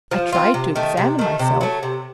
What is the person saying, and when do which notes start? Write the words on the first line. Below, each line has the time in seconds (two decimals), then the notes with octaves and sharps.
I tried to examine myself.
0.11 F3
0.32 C4 F4
0.54 C3
0.76 D#3 A3
0.97 C3
1.19 D#3 A3
1.39 C3
1.61 F#3 A3
1.83 C3